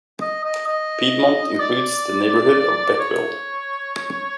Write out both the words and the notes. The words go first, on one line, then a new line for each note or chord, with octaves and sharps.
Piedmont includes the neighborhood of Beckville.
D#5
D#5
D#5
D5
C#5